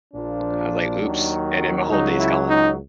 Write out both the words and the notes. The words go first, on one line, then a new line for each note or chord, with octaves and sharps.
like I was like, "Oops." And then my whole day's gone.
A#1 A#2 F3 D4
D#2 D#3 F#3
C#2 C#3 F#3 D#4
E4
D#4